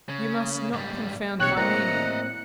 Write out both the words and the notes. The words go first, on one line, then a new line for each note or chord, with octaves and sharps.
You must not confound my meaning.
C#3
G#2 G3
B1 C3 A#3 C#5 G5 F#6 C#7
A2 A#3 C4 D5 D#5 A#5